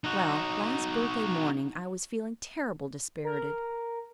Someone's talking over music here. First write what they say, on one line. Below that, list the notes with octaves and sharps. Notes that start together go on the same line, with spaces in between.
Well, last birthday morning I was feeling terrible disperrited.
D#4 F#4
A#4